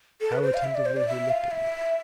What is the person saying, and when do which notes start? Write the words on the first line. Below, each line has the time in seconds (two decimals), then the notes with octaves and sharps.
"How attentively he looked at you."
0.21 A4
0.32 B4
0.43 C5
0.54 F5
0.64 E5
0.75 D5
0.86 C5
0.96 D5
1.08 E5
1.29 F5
1.51 E5